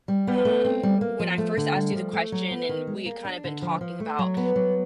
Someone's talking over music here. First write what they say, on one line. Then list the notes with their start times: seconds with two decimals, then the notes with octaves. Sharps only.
Um, when I first asked you the question and we had kinda been talking about
0.08 G3
0.27 B3
0.45 A3
0.65 C4
0.83 G3
1.01 A#3
1.20 F3
1.38 A3
1.57 D3
1.76 G3
1.95 F3
2.13 A3
2.32 F#3
2.51 B3
2.69 D#3
2.87 G#3
3.06 A#3
3.25 D4
3.44 D3
3.62 F3
3.81 F3
4.00 A3
4.19 F#3
4.37 B3
4.56 F#3